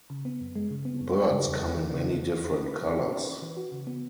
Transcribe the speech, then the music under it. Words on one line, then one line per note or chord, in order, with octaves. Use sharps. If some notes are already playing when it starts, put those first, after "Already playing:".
Birds come in many different colors.
C#3
B3
F#2
G#3
C#3
B3
F#2
G#3
C#3
E2
E2
E3
C#3
E2
E2
E3
C#4
B4
E3
F#4
C#4
B4
E3
F#4
C#3
B3